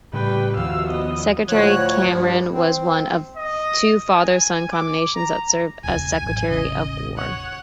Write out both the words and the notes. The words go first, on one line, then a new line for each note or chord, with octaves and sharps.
Secretary Cameron was one of two father-son combinations that served as Secretary of War.
A2 C#3 G3 B4 G5
D#2 C3 D#3 F3 F#4 F5 E6
B3 D#5
D2 A2 D3 F3 C#5 F#6
G2 F3
C4
D#5
G#5
D6
A#5
D#1 C#2 G#5
A1 F#2
E1 A1 C#3 D#5
C#5 F#5